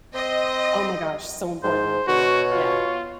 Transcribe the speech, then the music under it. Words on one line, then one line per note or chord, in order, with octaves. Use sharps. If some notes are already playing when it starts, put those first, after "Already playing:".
Oh my gosh, so important too, yeah.
C4 C5 D#5
G#2 C5
B2 F#4 C#5
F4